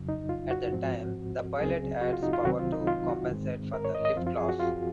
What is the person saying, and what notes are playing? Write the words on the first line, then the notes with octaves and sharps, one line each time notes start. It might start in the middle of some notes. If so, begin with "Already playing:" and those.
At that time the pilot adds power to compensate for the lift loss.
Already playing: F2 C#3 F#3
D#4
F4
F#4
G#2 F3 C4
C#2 C#3 F#3 C4 G#4
F#4
F4
D#4
F4
C2 C3 D#3 F#3 C4 F#4
F4
D#4
F4
F#4
G#2 D#3 G#3 C4
A#4
C#5
D#5
D#5
F#2 F3 C4 F4
F4
G#4
F#4
F4